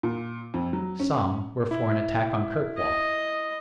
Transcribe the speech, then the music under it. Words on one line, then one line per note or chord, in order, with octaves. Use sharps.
Some were for an attack on Kirkwall.
A#2
F2
F#3
C#4
E4
D#5